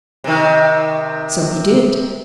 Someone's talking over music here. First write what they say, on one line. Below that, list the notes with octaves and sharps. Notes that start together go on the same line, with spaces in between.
"So he did."
C3 D#3